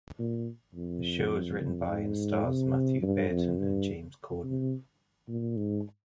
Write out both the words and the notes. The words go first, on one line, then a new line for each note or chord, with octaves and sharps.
The show was written by, and stars, Mathew Baynton and James Corden.
A#2
F2
F2
G#2
C3
G2
F2
G2
C3
A#2
G#2